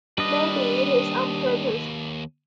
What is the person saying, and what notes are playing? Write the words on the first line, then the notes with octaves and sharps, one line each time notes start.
Maybe it is on purpose.
D#2 G3 D4 B4 D#5